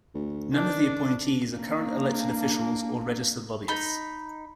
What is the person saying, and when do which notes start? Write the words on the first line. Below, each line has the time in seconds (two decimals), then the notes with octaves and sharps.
None of the appointees are current elected officials or registered lobbyists.
0.14 D2
0.53 D#3 D4
1.57 A#3 D4
3.68 D#4 B5